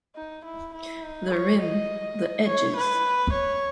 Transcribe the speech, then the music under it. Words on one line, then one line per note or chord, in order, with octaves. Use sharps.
The rim, the edges.
D#4
E4
E4
D#4
C#5
D#5
C#5
B4
C#5